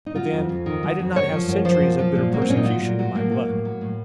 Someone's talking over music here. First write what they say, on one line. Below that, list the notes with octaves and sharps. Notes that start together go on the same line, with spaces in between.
But then I did not have centuries of bitter persecution in my blood.
D#4
F#3 F4
F2
F2
D#3
F#3
F2
F#2 C#5
F3
F#2
F3 C5
F#2
F3
A#2
F#3 A#3
C4
A#2 C#4
D#4
F#3 F4
A#2
F#3
A2 A#3
F#3
A2
F#3
A2